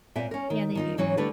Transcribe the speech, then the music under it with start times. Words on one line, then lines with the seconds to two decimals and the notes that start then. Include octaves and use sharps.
Yeah, they do.
0.15 A#2 C4 E5 G#5
0.31 C#4 A#4
0.50 D#3
0.75 D#3 D#4 F4
0.97 G#2 E3 F#3 C#4
1.17 D3 G3 A3 D4 B4